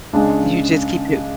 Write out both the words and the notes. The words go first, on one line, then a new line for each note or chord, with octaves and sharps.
You just keeping it
C#2 C#3 G#3 D4